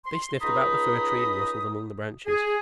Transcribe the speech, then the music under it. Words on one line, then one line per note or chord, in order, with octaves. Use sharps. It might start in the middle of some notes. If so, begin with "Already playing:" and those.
They snuffed about the Fir Tree, and rustled among the branches.
C6
C#2 D#4 A#5 B5 D#6
G#4